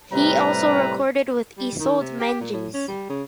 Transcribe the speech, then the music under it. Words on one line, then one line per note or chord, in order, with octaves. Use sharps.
He also recorded with Isolde Menges.
A2 C3 G3 B4 A#5
G3
D#3
C3
G4
A#2
A2
C#4
G3
C#3